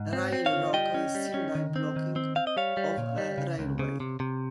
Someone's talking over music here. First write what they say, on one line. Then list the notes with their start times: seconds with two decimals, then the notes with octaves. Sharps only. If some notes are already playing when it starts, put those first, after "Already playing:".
Rail roko is similar blocking of a railway.
Already playing: G#2
0.13 C4
0.33 C4
0.46 C#5 F5
0.53 F4
0.73 G3 D#5 G5
0.94 C#4
1.15 G3
1.34 C#4
1.55 D#3
1.76 C4
1.96 D#3
2.16 C4
2.36 C4 F5
2.47 D#5
2.57 G3 C#5 F5
2.77 G3
2.98 A#2
3.18 G3
3.38 C#3
3.59 C#2
3.79 C#3
4.00 C3
4.20 C3